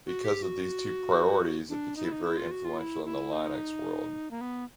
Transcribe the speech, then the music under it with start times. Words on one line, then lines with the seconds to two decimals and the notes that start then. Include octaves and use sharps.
Because of these two priorities it became very influential in the Linux world.
0.06 F#4
0.24 G4
0.42 F#4
1.69 D4
1.97 D#4
2.04 E4
2.12 D#4
2.23 E4
2.37 F4
2.51 F#4
2.65 F4
2.78 E4
3.05 E4
3.32 D#4
4.31 A#3
4.41 B3